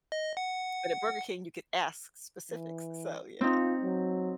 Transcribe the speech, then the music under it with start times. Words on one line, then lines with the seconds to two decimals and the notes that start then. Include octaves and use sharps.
But at Burger King, you could ask specifics, so yeah.
0.12 D#5
0.37 F#5
2.51 E3
3.41 C4 D#4 F4
3.83 F#3